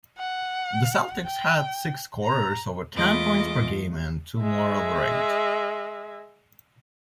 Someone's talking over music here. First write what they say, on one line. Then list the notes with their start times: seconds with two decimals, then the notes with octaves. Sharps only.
The Celtics had six scorers over ten-points per game and two more over eight.
0.19 F#5
1.26 G5
2.24 A#5
2.93 E2 G#3 A3 F4 D#5 D6
4.41 G#3 E5